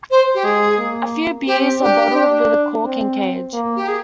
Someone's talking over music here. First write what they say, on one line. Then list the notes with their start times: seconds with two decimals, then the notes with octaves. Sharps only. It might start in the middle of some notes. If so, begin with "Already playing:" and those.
A few beers are bottled with a cork and cage.
0.10 C5
0.34 G4
0.44 G#3 G#4
0.78 A#3
1.47 C4 G4
1.81 D4 G4
2.16 D4
2.84 C4
3.53 A#3
3.76 G4
3.88 G#4